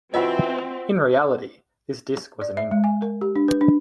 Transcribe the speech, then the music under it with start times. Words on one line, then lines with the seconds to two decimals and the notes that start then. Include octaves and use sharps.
In reality, this disc was an import.
0.14 E3 C4 F4 F#4 D#5 E5
2.42 D5
2.57 E5
2.71 G#3
2.84 G#5
3.02 A#4
3.21 G4
3.36 D4
3.48 B4
3.61 D4